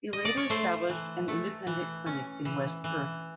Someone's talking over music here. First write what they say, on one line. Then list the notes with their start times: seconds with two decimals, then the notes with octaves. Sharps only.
He later established an independent clinic in West Perth.
0.13 D#5
0.25 D5
0.37 C#5
0.50 A3 C5
0.89 E3
1.28 A3
1.67 E3
2.06 C#4
2.45 E3
2.84 E3